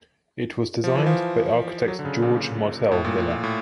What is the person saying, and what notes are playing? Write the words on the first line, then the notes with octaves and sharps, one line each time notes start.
It was designed by architect George Martel Miller.
F3
E3
F3
F#3
D3
C#3
A#2
A2
A#2
A2
A#2
A2